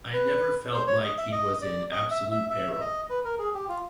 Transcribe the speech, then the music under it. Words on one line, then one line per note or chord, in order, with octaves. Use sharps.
I never felt like he was in absolute peril.
B4
C5
C#5
D#5
E5
D#5
D5
D#5
E5
E5
E5
E5
D#5
B4
A#4
G#4
G4
F4